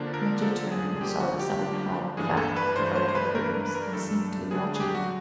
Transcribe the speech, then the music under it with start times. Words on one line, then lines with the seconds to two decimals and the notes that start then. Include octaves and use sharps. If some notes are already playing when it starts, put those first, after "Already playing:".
Mitya turned, and saw that some one had, in fact, parted the curtains and seemed to be watching them.
Already playing: D3 F3 A#3 D4
0.14 A#4
0.42 D3 F3 A#3 D4 A4
0.72 G#4
0.96 G#4
1.01 D3 F3 A#3 D4 G4
1.20 F#4
1.40 G4
1.59 D3 F3 A#3 D4
2.17 G2 E3 A3 D4 G#4
2.37 A4
2.56 B4
2.76 G2 E3 A3 D4 C5
2.96 C5
3.09 C5
3.15 B4
3.35 G2 E3 A3 D4 A#4
3.44 B4
3.54 A#4
3.65 B4
3.75 A#4
3.88 A#4
3.93 G2 E3 A3 D4 A4
4.51 D3 F#3 A3 D4 G#4
4.76 G#4
4.80 G4
4.95 F#4